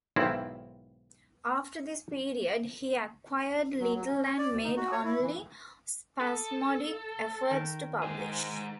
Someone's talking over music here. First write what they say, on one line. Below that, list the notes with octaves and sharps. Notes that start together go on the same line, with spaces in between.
After this period, he acquired little and made only spasmodic efforts to publish.
B1 G#2 D#3 C4 E4
F#3
F#3
C#4
C#5
D5
D2
D#4
F#4
C#5
E4
E3
A4 D#6
D#3
G#2 G#4